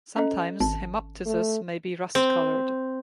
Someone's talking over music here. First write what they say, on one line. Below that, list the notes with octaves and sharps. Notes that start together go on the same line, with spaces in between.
Sometimes hemoptysis may be rust-colored.
C#4 A4 D#5
G#1 A5
A3
C4